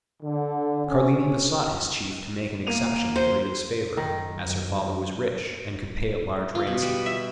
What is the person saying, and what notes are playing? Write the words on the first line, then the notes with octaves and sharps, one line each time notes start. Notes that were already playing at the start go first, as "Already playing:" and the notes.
Carlini besought his chief to make an exception in Rita's favor, as her father was rich, and could pay a large ransom.
D3
C#4
A#3 D#7 F7
C5
F#2 D#3
F4
B2
G3
E5